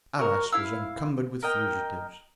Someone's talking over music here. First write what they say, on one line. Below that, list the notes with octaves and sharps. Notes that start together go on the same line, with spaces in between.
Arras was encumbered with fugitives.
F#4 A#4
E4 F5 E6
A#4 D#5 G5